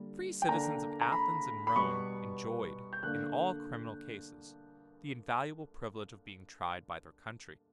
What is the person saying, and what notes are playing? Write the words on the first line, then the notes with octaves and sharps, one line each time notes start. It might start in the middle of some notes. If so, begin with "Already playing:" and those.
The free citizens of Athens and Rome enjoyed, in all criminal cases, the invaluable privilege of being tried by their country.
Already playing: D3 G3 A#3
G5
D3 A#3 D4 A#5
A#5
B5
B5
B2 G3 B3 C#6
G6
D3 A#3 D4 F#6